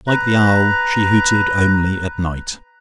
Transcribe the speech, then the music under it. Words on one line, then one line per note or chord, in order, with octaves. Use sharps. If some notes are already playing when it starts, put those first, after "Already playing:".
Like the owl, she hooted only at night.
B4 A#5